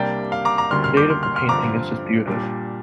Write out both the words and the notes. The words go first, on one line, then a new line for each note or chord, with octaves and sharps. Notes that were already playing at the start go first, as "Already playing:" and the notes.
The date of the painting is disputed.
Already playing: C2 C3 G3 A#3 D4 D5 G5
F5
A#5 D6
A#5 D6
D2 D3 G3 A#3 C6 F6
C6 F6
D6 G6
C6 F6
C6 F6
C6 F6
G2 D3 F3 C4 A#5 D6
A#2 G3 D4